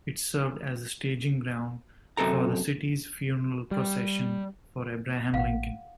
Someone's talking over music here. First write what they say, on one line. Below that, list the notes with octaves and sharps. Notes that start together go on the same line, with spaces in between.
It served as the staging ground for the city's funeral procession for Abraham Lincoln.
F#2 C3 A4 A#5
G3
A1 F5 F#5